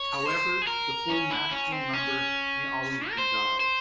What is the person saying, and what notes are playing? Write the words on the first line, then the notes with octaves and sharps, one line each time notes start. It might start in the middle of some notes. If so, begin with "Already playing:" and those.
However, the "Full National Number" "may" always be dialled.
Already playing: C#5
C5
G#4
A#4
C#4
E4
C#4
C4
C#4
A#4
C5
C5